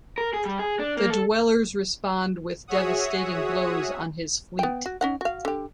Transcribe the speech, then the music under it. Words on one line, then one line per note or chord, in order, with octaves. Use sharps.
The Dwellers respond with devastating blows on his fleet.
A#4
G#4
G3
G#4
D4
A#3
A4
F#4 G#4 C#5 E5 F#5 D#6
B3 G5
F#4
C#4 D#4 F#5
F#4 F5
D3 G4